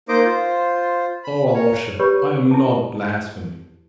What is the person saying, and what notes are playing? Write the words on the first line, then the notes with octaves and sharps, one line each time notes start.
Oh, Alyosha, I am not blaspheming!
A#3 D#4 C5 D#5 D6
F4 C5
B5
A#4 C#5
G4 B4 C#5 B5 C#6
E4 A5